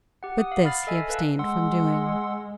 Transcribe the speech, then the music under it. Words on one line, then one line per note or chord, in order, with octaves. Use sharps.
But this he abstained from doing.
G4 F#5
F#5 D#6
F5
B5 F6 A6 C7
A4 D#5 E5 G#5
A4 B4 F5 A5
G#3 F#5 C6 E6